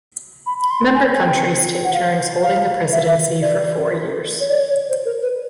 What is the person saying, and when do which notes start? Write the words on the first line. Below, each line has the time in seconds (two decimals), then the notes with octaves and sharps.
Member countries take turns holding the presidency for four years.
0.46 B5
0.62 B5
0.71 C6
0.95 G#5
1.20 G5
1.84 F#5
1.94 F5
2.43 F5
2.92 E5
3.42 D5
4.40 C#5
4.50 D5
4.60 C#5
4.89 C5
5.05 A#4
5.22 B4